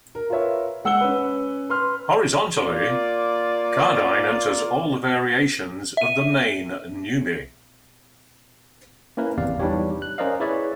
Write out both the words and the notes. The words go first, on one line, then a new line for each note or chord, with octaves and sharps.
Horizontally, Cardine enters all the variations of the main neume.
A#4
F4 A#4 B4 C#5 E5
G#3 F#5 E6 C#7 G7
C#4 B4
B4 C6 F6
A#3 F4 D5
E5 D#7
A#3 C#4 E4 A#4 B4
G#1 E2 C3 D5 F5
E3 G3 D4 D#4 G4 C#5
F#6
C#4 A#4 C5 D5 D#5 F5
E4 G#4 B4 C#5 D5 E5